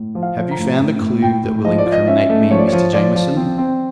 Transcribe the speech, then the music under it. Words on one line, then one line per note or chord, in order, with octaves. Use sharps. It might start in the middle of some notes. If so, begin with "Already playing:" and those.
"Have you found a clue that will incriminate me, Mr. Jamieson?"
Already playing: A2
F3
F5
F3
A#5
A2
A2
A2
A2 G5
A2
F3 D#5
D5
F4
D#5
C#4 E5
A3
F3 C#5
D5
F3 C#5
F3 D5
F3
C4
C4